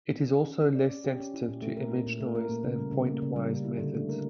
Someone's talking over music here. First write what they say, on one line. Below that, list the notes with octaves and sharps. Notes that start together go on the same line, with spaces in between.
It is also less sensitive to image noise than point-wise methods.
D5
C#4
G4
C#4
D5
C#4
G4
C#4
E4
A#2
A3
A#4
E4
A#2
A3
A#4
A#3
C#3
G3
C#3
A#3
C#3
G3
C#3
E4
D3
A3
A#4